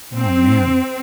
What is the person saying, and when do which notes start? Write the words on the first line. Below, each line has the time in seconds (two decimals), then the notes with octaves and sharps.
Oh man.
0.15 C4